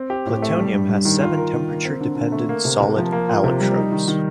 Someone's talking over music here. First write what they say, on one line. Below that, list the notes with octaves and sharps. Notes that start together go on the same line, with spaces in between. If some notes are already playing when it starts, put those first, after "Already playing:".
Plutonium has seven temperature-dependent solid allotropes.
Already playing: C4
G4
A2
A3
G3
G2
G2
D#3
F4
A#4
D#3
A#3
C4
D3
D3
A3
A#3
C3
C3
F3
A#3
F4
C3
G3
D#4
D#3
D#3